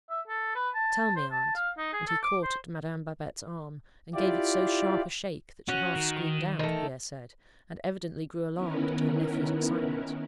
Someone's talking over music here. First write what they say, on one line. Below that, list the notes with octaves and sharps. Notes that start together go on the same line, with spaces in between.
Tell me, aunt,' and he caught at Madame Babette's arm, and gave it so sharp a shake, that she half screamed out, Pierre said, and evidently grew alarmed at her nephew's excitement.
E5
A4
B4
A5
C5
A5
F5
D#4
G#4
A4
D6
C5
E4 F4 G4 D5
C#4 F#4
D#3
D#3 A3
D#3 B3 C#4 E4 A#4 B4